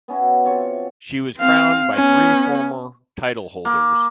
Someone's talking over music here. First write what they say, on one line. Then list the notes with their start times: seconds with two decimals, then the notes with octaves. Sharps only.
She was crowned by three former titleholders.
0.08 B3 C#4 E4 F#4
0.45 C3 F4 C#5
1.37 C4 F5
1.95 B3 C#4
3.65 A#3